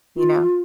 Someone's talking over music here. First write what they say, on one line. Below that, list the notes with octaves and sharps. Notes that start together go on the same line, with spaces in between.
you know,
F4